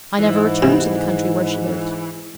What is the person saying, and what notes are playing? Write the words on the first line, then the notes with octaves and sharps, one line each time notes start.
"I never returned to the country where she lived."
G#2 E3
C3